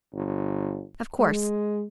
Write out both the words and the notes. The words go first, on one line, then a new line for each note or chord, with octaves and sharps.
"Of course."
G1
G#3